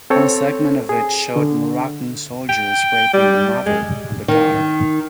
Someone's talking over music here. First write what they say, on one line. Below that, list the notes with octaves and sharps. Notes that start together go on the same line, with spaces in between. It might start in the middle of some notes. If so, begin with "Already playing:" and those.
One segment of it showed Moroccan soldiers raping the mother and the daughter.
C4 A4 C#5
G#4
D3
G5
G3
G#3
D#3